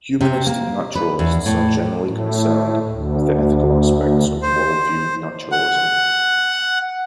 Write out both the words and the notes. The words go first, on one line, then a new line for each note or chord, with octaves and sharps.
Humanistic naturalists are generally concerned with the ethical aspects of worldview naturalism.
C3
A#3
B4
E2
A2
A2
D2
C5
F#5